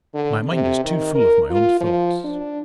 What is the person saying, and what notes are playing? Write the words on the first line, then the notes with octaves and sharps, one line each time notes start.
"My mind is too full of my own thoughts."
D3
C3
D#3
A#4
F4
F3
D4